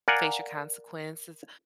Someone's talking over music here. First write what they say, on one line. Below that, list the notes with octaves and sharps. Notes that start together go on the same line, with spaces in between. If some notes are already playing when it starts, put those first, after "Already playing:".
face your consequences,
A#4 D5 F5 F#5 G#5